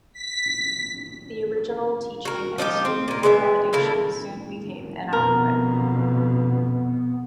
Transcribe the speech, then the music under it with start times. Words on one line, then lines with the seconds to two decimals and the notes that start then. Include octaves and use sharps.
The original teaching and student accommodation soon became inadequate.
0.13 B6
2.25 F#4 A#4
2.58 F3 D4 D#4 G4
2.85 C4
3.08 A#2 A#3
3.23 G#3 B3 D5 E5
3.73 C#3 A#3 E4 A4
5.13 F2 B2 B3 A#4